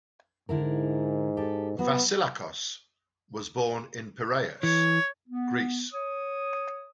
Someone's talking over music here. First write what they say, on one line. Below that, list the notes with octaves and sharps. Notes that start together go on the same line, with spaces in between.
Vasilakos was born in Piraeus, Greece.
G#2 D3 E4 A#4
G4 A4
F#3 B3 F#4
E3 C#5
B3
C#5 D#6